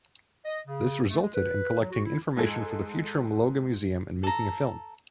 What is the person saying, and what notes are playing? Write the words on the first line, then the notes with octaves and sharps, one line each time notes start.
This resulted in collecting information for the future Mologa Museum and making a film.
D#5
C#3
A3
G#3
B4
F#3
F#4
E4
G#2 G#4 A4 G#6
A4 A#5